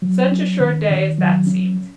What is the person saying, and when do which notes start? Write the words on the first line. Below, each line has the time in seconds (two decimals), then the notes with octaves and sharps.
Such a short day as that seemed!
0.02 F#3
0.32 C#4
0.60 D#3
0.90 D#3
1.18 F#3
1.47 C#4